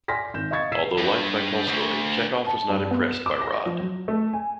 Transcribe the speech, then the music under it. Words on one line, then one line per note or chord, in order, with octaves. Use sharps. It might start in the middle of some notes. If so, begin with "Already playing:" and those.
Although liked by Tolstoy, Chekhov was not impressed by Rod.
D5 G#5 C6 F6 A#6 B6
G#1 G6 E7
D#5 F5 C#6 G#6 A6 C#7
E6 G#6 B6 C7 D#7 E7
G2
D2
A5
G2
B3
E7
D6
A#6
F3
F#3
A3
G#5